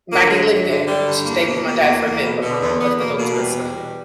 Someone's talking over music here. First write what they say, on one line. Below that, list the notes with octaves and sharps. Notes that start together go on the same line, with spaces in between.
Maggie lived there, and she stayed with my dad for a bit, but my mom left the dog to my son,
D3 A#3
G2 F#3
G2 F#3
D3
D3 G3
G2
E2 A#3
B2
B2
E2
E2
B2
B2
E2
E2 B3
B2 A#3
B2 A#3
A#3
E2 G3
E2
B2